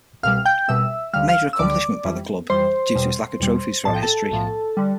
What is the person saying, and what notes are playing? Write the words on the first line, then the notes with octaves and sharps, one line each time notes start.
A major accomplishment by the club due to its lack of trophies throughout history.
C2 B2 G3 F5 F6
G5 G6
C2 B2 G3 E5 E6
D2 D3 G3 F5 F6
F5 F6
E6
D2 D3 G3 D5 D6
F2 E3 G3
F2 E3 G3 C5 C6
E2 B2 G3
E2 B2 G3
B1 A2 F3 A5
G5
A4 A5
B1 A2 F3
D3 G3